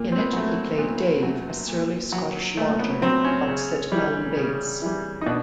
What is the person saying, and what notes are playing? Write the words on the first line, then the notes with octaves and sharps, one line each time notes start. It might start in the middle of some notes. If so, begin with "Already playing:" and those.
In it he played Dave, a surly Scottish lodger, opposite Alan Bates.
Already playing: A#2 A#3
C4
B3
F#3 A3
A#3
A#2 B3
F#3
A#2
F#3
A#2 A3
B3
F#3 C4
C#4
C#3
E3 G3
C#3
E3 G3
D#4
B2 D4